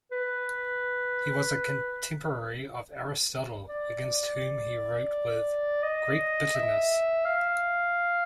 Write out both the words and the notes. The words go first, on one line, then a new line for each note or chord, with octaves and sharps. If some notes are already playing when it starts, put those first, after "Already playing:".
He was a contemporary of Aristotle, against whom he wrote with great bitterness.
B4
D5
D#5
E5
F5